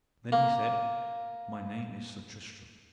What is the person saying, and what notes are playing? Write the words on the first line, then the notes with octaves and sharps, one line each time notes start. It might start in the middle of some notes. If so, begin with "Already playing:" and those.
Then he said: My name is Sir Tristram.
A#3